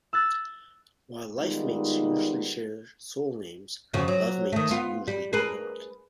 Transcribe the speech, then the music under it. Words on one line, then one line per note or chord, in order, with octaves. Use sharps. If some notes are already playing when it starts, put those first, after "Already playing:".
While lifemates usually share soul names, lovemates usually do not.
E6 F#6 A6
D#3 G3 G#3 B3 D#4 F4
F2 C#3 F#4
F#3
D#3 A3
B3 F4
G3
G#4 A#4 B4